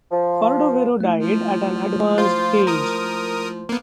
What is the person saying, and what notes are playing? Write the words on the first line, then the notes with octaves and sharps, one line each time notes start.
Cordovero died at an advanced age.
F3
A3 E4
F3
F4 C5 C6
A#4 D#6
A#3 B3